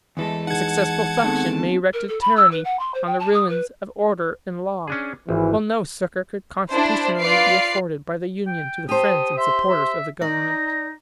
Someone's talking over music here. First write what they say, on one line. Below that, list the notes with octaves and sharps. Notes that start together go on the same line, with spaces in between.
A successful faction may erect a tyranny on the ruins of order and law, while no succor could constitutionally be afforded by the Union to the friends and supporters of the government.
E2 E3 G#3 A3 A4
D#4 G#4 F#5 A5 G#6
D#2 G#3 B3 C4 D#4 A4
A#4
A4
B5
E6
B4
F#5
C6
C5
G5
A5
D#6
B4
C#4 D4 G#4
G#1 E3
D4 E4 C5
F4 B4 D5 F5 C7 D7
G5
G4 C5 A5 D#6
E5 C6
E5
D#4 D5 A#5